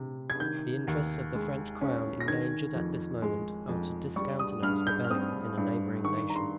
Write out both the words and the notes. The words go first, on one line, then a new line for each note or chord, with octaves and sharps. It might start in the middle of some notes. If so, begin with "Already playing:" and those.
The interests of the French crown, endangered at this moment, are to discountenance rebellion in a neighboring nation.
Already playing: C3
G#6
D#3 G6
D#2
G#3
C#4
A#6
D#3 G#6
F2
G#3
F2
G3 C#6
D#6
G2 F6
G6
F6
C4 D#6
G2
D#3 C#6
A#5
C6